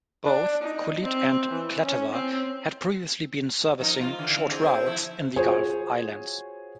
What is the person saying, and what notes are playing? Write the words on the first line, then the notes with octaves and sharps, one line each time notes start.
Both "Kulleet" and "Klatawa" had previously been servicing short routes in the Gulf Islands.
D4
D#4
C4
E3
C#4
C4
F3 D#4 A#4
F4
D3 E3
C4 E4 G#4
C5
F3 A3 E4
F4 F#4 G#4 C5 C#5